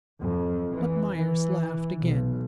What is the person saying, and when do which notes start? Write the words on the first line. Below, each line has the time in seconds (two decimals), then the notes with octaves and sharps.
But Myerst laughed again.
0.21 F2
0.74 E3
1.15 E3
2.03 B1